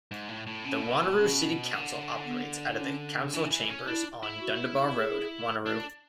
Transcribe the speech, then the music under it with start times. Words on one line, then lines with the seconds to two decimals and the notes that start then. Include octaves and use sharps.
The Wanneroo City Council operates out of the Council Chambers on Dundebar Road, Wanneroo.
0.11 G#2
0.28 A2
0.47 A2
0.64 B2 C#4
1.18 C#4
1.72 D3
2.25 B3
2.80 C#4
3.33 E3 D4
3.51 E3
3.69 C#4
3.87 D4 E4
4.23 E4
4.41 F#4
4.95 G#4
5.66 D4